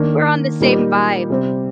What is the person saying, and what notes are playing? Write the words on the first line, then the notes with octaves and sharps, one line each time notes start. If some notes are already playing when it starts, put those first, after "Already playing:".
We're on the same vibe.
Already playing: D#3 A#3 D4
A#2 G3 A#3 D#4 G4
C3 G3 C4